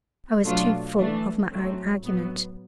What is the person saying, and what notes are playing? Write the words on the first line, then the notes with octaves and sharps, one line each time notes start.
I was too full of my own argument.
B2 F#3 A3 D4 F4
E3 A3 D4
A2 F#3 A3 C4
A2 F#3 B3